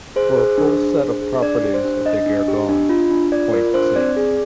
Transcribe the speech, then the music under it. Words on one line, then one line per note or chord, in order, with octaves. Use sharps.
For a full set of properties of the Gergonne point see.
G#4 C5
G#4
D4
G#4
D4
G#4
D4 D5
G4
C5
D4
D4 D#5
D4
G4
D4
F4
D4
F4 D5
F4 A#4
D4 C5
C4 D5
G#4